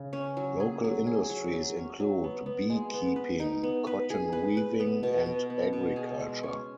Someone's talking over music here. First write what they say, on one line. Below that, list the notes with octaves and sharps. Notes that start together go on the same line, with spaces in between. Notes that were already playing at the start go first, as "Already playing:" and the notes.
Local industries include beekeeping, cotton weaving, and agriculture.
Already playing: C#3
C#4
F#3
G#4
F#3
G#4
F#3
F#3
C#4
F#3
B3
B3
G#3
B3
B4
D#4
B3
B4
G#4
B4
B4
B3
B2
B2
B3
B2
G#4
G#3
C#4